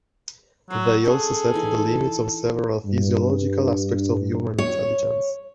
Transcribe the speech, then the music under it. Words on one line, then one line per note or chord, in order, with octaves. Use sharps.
They also set the limits of several physiological aspects of human intelligence.
F#3 C5
C#4 G#4 A4
E3 D#4 E4
G2
C#5